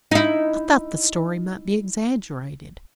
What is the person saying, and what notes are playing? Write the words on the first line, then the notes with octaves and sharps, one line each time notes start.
I thought the story might be exaggerated.
D#4 E4